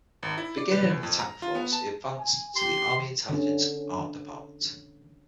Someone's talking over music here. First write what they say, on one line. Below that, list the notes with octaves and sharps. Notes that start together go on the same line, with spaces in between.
Beginning in the Tank Force, he advanced to the Army Intelligence art department.
G#1
E4
D5
B4
C#2
F2
A#5
F4
B3
A5
G#5
G4 C6
D3 C#4